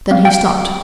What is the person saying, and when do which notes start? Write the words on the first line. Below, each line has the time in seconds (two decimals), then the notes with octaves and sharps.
Then he stopped.
0.11 C4 F5
0.25 G5